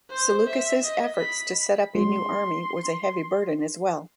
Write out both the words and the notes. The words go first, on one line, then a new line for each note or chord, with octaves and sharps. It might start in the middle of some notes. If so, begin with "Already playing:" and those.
Seleucus' efforts to set up a new army was a heavy burden as well.
C5
E5
D#5
B5 B6
G#3 C6